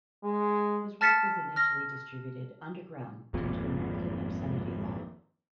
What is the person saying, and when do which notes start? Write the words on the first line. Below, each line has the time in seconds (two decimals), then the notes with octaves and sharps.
His work was initially distributed underground due to American obscenity law.
0.23 G#3
1.01 A5 F6 A6 B6 C#7 E7
1.56 F6 A#6
3.34 G#1 F2 A#2